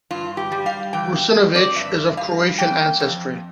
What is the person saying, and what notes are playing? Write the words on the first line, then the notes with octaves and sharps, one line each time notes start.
Russinovich is of Croatian ancestry.
G2 F4
G4
G3
F5
E3 G5
C4
D5
G2 E5
G3 F5
E3 G5
F2